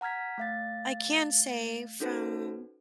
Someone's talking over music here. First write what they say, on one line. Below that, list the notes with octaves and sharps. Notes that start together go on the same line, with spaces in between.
I can say from
F#5 A#5 F6 G#6 B6
A3 F5 A6
C#4 D#4 F#4 A4 B4 C5